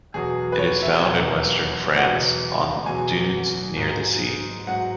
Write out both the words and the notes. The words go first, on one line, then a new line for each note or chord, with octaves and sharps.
It is found in western France on dunes near the sea.
E2 B2 F#3 G#4
B4
C#5
E5
E2 B2 F#3
E2 B2 F#3 F#5
E2 B2 F#3 G#5
G#2 F#3
G#2 F#3 F#5